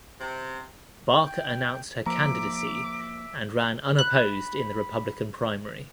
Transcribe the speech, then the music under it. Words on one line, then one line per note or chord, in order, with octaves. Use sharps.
Barker announced her candidacy and ran unopposed in the Republican primary.
C3
G5
F3 A#3 E5 A#5 D6
B5 F#6